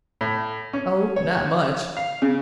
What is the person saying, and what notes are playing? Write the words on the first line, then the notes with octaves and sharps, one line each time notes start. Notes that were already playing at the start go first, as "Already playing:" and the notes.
Oh, not much.
A2
C#4
C#5
F5
C#3